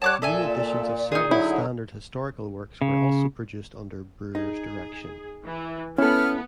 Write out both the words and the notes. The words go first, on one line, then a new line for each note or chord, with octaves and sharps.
New editions of several standard historical works were also produced under Brewer's direction.
G3 C#5 F#5 A5 D6 F#6
A#2 A4 D5 E5 G#5
D#4 G#4
D3 F#3 E4
C#3
D#4 G#4
E3
B3 C#4 E4 A4 F6